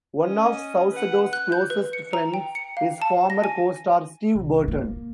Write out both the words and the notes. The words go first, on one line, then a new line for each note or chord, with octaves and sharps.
One of Saucedo's closest friends is former co-star Steve Burton.
C#4 D#5
B4 F#5
F#6
G6
B4
C#7
A#5
G5
C#7
F5
A5
A#6
G#5
C2
A#3